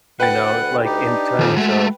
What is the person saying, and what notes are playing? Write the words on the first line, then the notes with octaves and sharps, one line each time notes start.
you know, like, in terms of,
D2 B4 F#5 G5 F#6 A6
D#4 G4
D4
F2 D#3 F4
G#3 A3 F#4